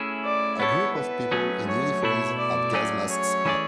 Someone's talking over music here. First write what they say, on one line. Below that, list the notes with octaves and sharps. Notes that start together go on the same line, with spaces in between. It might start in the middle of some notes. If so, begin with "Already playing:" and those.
A group of people in uniforms have gas masks on.
Already playing: A3 C#4 E4 G#4
D5
B3 E4 A4 C#5
B4
F#3 A3 C#4 G#4
C#5
B2 A3 E4
D5
F#3 A3 C#4 G#4
C#5
E3 A3 C#4 G#4 D5